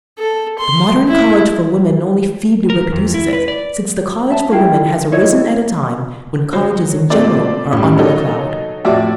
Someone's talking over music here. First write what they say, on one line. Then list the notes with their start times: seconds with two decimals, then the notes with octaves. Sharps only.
The modern college for women only feebly reproduces it, since the college for women has arisen at a time when colleges in general are under a cloud.
0.18 A4
0.59 C6
1.08 E4
2.70 A#4
2.92 F2
3.14 E4
3.33 B4
3.48 D5
4.30 E5 A5
4.51 E4 F4 F5 G5
5.12 D#4 E4 C#5 D#5
6.53 F#3 C5
7.10 A#2 A3 C4 D5
7.72 A2 C#3 G3
7.98 F#3 A#3 D#4 A4
8.85 F2 A2 F#4 D5 E5 D6